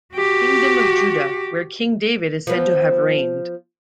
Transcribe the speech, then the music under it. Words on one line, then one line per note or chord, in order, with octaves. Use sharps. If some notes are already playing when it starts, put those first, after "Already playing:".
Kingdom of Judah, when King David is said to have reigned.
F#4 G4
F3 B3